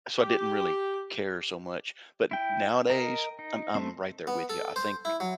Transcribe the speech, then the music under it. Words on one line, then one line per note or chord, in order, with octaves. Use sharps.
so I didn't really care so much, but n nowadays, I'm I'm right there with you. I think
G4
E4 G5
A#4 D#5
D#4
A3 C4
B3
A4
C5
E4
F#3